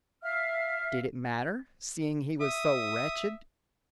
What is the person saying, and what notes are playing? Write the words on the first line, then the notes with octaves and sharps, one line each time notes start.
Did it matter, seeing he was so wretched?
E5 F5 F6
E5 D#6